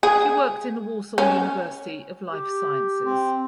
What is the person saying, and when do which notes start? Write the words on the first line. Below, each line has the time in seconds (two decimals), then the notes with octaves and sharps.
She worked in the Warsaw University of Life Sciences.
0.03 G#4
1.18 C#4
2.33 G4
3.05 C4